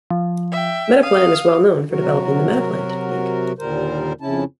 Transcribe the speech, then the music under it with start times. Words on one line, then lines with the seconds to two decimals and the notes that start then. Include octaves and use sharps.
Metaplan is well-known for developing the "Metaplan technique".
0.11 F3
0.52 E5 G5
1.03 F5 D#6
1.91 C3 F#3 F#4 A#4
3.59 D#2 A#2 D3 G3 A#4 C5
4.21 F2 C#3 C#4 E4 A5